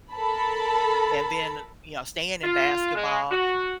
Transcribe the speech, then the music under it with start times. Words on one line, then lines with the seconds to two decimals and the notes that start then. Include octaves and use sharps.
and then, uh, you know, staying in basketball,
0.12 A4 A#4 A5 B5
2.44 F4
2.95 G#3
3.31 F#4